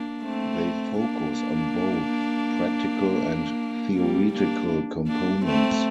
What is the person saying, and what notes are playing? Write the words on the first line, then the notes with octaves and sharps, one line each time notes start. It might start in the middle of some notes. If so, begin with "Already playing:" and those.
They focus on both "Practical" and "Theoretical" components.
Already playing: A#3 D4
A3 C4
A#3 D4
G3 A#3
A#3 D4
A#3 D4
A3 C4